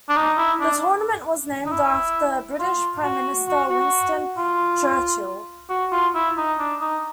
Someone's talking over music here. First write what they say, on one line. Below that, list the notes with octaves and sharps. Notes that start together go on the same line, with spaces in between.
The tournament was named after British Prime Minister Winston Churchill.
D4
D#4
E4
D4
D#4
E4
F4
F#4
F#4
F#4
F4
F#4
F4
E4
D#4
D4
D#4